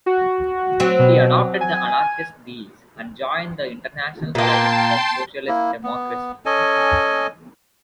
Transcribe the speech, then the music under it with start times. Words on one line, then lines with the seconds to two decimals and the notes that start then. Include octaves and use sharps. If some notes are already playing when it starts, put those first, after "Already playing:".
He adopted the anarchist these and joined the International Alliance of Socialist Democracy.
0.06 F#4
0.80 F#3 C4
0.99 B2
1.61 G#5
4.35 A#2 A#3 G5 A5 C6
5.48 A#3 E4
5.84 B3
6.45 C#4 A4 D#5 G#5